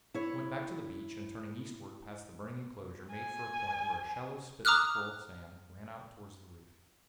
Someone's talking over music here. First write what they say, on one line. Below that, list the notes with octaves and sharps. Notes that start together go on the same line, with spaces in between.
I went back to the beach, and turning eastward past the burning enclosure, made for a point where a shallow spit of coral sand ran out towards the reef.
E4 C#5
G#5
A#5 D6 D#6 F6 F#6